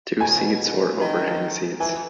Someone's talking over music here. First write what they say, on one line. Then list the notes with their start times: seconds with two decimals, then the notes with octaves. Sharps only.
Two seats were overhang seats.
0.20 B2 G#5
0.29 C#3
0.39 B2
1.00 D#3
1.80 E3 G#5